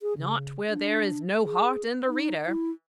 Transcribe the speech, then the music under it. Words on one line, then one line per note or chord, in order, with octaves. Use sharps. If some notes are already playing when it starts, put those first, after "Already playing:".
"Not where there is no heart in the reader."
G#4
C#3
D4
G#4
D#4
E4